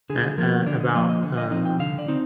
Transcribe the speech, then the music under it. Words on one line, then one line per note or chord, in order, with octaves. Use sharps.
at, uh about, um,
D3 G#4
F3 A#3 A#4
D3 D5
D#5
F3 A#3 D#5
D#5
D3
D#5
F3 C4 D#4 D#5
G5
D3 F5
D5
C4 D#4